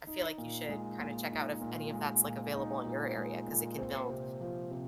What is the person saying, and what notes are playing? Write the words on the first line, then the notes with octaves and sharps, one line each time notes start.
I feel like you should kinda check out if any of that's, like, available in your area 'cause it can build,
D#4
A#2
G#3
A#2
D#4
A#2
G#3
A#2
D#4
A#2
G#3
A#2
C4
C3
F3
C3